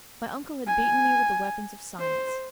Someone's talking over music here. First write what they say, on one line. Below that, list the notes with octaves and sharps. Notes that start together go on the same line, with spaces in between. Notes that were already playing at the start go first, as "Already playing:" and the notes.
My uncle had beaten me with the weapons of science.
G#5
C5